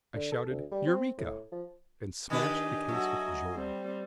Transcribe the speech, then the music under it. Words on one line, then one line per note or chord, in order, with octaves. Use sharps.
I shouted "Eureka!" and smashed the case with joy.
D3
A4
D2
G3
C4
A2
F3
D#3 D4 G4 B4 D#5 G#5
F#3 A3 F#4
G3 C4